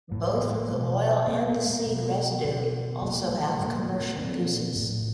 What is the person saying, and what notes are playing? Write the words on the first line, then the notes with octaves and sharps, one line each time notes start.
Both the oil and the seed residue also have commercial uses.
A2
F#3 G#3
G#3 A#3
B2
A#2 A#3 C4
A3 B3
G#3 A#3
B2
B2
A#2 F#3 G#3
G3 A3
A#2 G3 A3
A#3
A3 B3
A#3 C4
A#2 C4 D4
A2